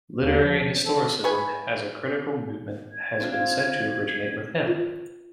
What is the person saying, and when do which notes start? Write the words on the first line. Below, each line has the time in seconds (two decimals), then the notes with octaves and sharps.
Literary historicism as a critical movement has been said to originate with him.
0.20 D#2
0.44 F3
0.86 A4
1.24 G#4 B4 C#6
2.92 G#6
3.20 C4 D4 F4
4.67 F4